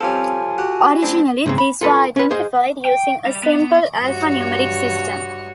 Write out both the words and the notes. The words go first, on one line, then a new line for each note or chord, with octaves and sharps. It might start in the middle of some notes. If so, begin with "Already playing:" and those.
Originally, these were identified using a simple alphanumeric system.
F3 G3 C4 C#4 F4 A4 G#5
F#4 G4 F#5
F#2 A2 C4 D4 E4 D#6
G#2 C#3 C4
B5
F4 A4 B4
C#4 B4
G#4 C5 D#5
G5
G3
B3
G2 F#4 C#5